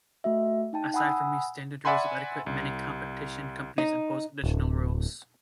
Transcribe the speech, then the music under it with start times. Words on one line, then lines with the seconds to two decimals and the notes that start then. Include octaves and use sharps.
Aside from these standard rules of etiquette, many competition companies impose additional rules.
0.24 A3 F#4 E5
0.73 D#4 G5 A5
0.94 F#5 G#5 B5 D#6 E6
1.85 D5 E5 F#5 G#5 B5 C6
2.46 C2
3.78 D#4
4.44 D1